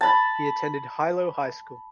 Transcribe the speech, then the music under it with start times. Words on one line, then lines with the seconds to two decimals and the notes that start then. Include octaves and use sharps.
He attended Hilo High school.
0.01 A5 B5